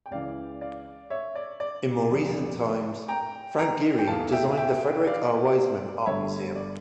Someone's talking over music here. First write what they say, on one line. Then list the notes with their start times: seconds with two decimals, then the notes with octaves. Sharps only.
In more recent times, Frank Gehry designed the Frederick R. Weisman Art Museum.
0.06 G5
0.11 C#2 C#3 E3 D5 F5
0.61 D5 F5
1.10 C#5 E5
1.35 D5
1.60 D5
2.10 F1 F2 D3
3.08 G5 A#5
3.58 G5 A#5
3.98 G5
4.07 E2 E3 A3 F5 A5
4.32 E5 G5
4.57 E5 G5
5.07 D5 F5
6.06 G1 G2 D3 A3 C#5 E5
6.55 D5